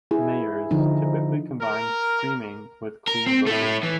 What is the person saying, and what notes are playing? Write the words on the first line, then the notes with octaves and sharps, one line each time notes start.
Mayers typically combined screaming with clean vocals.
E4 G#4
D3 F3 D#4
A#4
A#4
C4
A3 E4
E3